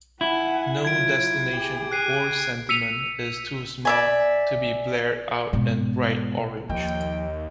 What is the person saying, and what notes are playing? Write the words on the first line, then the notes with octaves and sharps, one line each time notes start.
No destination or sentiment is too small to be blared out in bright orange.
E4 F#5 G#5
F#3 F4 G#6 D7
G4 G#4
F#6 C7 D#7
E6 B6 C#7 D#7 F7
D5 E5 G#5
G#2 B2
D#2 F3 D#5 G5